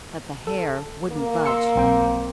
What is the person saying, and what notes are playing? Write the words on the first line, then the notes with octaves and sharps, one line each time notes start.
But the hair wouldn't budge.
A4
A#3
C6 E6 C#7
B1 C4 G5